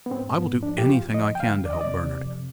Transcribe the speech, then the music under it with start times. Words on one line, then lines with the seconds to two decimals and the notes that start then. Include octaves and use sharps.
I will do anything I can to help Bernard.
0.06 B3
0.11 G#2 C4
0.31 G#2
0.37 B3
0.49 F3
0.63 D4
0.69 F3
0.78 G4
0.88 F2 F4
1.07 F2
1.14 D#5
1.27 F2
1.35 G5
1.40 F5
1.46 D3
1.66 F2 D5
1.73 D#5
1.81 C3 D5
2.04 C3
2.24 F2